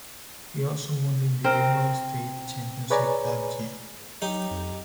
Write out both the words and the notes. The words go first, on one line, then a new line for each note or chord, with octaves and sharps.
He also won the individual state championship that year.
C4 A#4
G#4 B4 C#5 D5 G#5 A#5
F#3 D#4 G4
F2